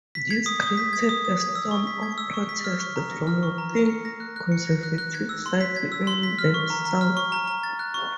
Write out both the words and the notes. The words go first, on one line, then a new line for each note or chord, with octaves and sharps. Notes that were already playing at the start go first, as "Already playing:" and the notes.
This created a storm of protest from within conservative circles in the South.
B6
G#6
D#6
D#6
B6
G#6
D#6
D#6
G#6
E6
C#6
B6
G#6
E6
C#6
B6
F6
C#6
A#5
A#6
F6
C#6
A#5
A#6
C#7
A#6
F#6
F#6
C#7
A#6
F#6
F#6
G#6
E6
C6
B6
G#6
E6
C6
B6
F6
C#6
A#5
A#5
F6
C#6
A#5
A#5
A6
F#6
C#6